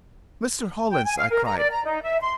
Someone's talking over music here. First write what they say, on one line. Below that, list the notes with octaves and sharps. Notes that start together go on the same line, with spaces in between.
"Mr. Hollins!" I cried.
G5
G#5
F5
A#4
A#5
D5
A#5
D#4
E5
C6